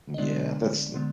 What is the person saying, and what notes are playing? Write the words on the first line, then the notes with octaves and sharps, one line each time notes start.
Yeah, that's n
D#5
D3 G#3 B3 D4 D5
D3 G#3 B3